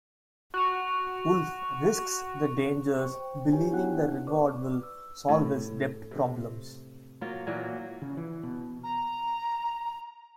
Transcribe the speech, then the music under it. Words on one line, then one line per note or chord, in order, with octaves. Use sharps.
Wolff risks the dangers believing the reward will solve his debt problems.
F#4 C#6 F7
C5 G5 C#6
E4 G4 B4 C#5 G5 G#5
B3 D4 D#4 F#5 F#6
B4 D5 C#6 D6
E6
A2
C3
F#3 A#3 F4
A#2 E3 F#3 A#3
C#3
E3
B2
A#5